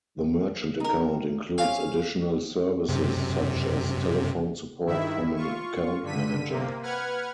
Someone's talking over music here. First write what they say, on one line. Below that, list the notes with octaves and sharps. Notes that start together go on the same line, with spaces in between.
The merchant account includes additional services such as telephone support from an account manager.
D#4 A#4
C3 C#4 F5
F#2 C3
G2 D#3 E4 E5
F4 C#6
G2 D3 B6 D#7
C3 A#3
B4 F#5 F6 G#6